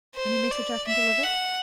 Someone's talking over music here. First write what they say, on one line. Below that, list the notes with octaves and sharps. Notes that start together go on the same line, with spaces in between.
"Any message I can deliver?"
C5
D5
E5
F#5